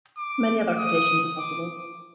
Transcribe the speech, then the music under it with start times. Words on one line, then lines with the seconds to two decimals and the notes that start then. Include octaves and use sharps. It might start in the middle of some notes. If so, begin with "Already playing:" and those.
Many other applications are possible.
0.18 D6
0.78 D#6
1.39 D6